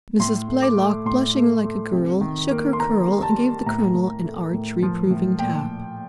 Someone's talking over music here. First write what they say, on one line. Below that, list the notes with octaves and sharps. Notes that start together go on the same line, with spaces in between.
Mrs. Blaylock, blushing like a girl, shook her curl and gave the Colonel an arch, reproving tap.
A2 C6
A3
D6
A3
A2 C6
A3
A3
C3
D#3
A#3
C6
A#3 A#5
G3
A5
A#3
A2 A#5
A2
A3
A2
F3
A2
A#2 G5